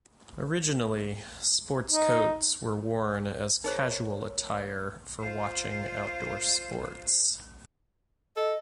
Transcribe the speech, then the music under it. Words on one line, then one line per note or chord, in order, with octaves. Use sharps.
Originally, sports coats were worn as casual attire for watching outdoor sports.
D#4
D#4 G#4 A#4 C5 C#5
F4 C5
A4 D#5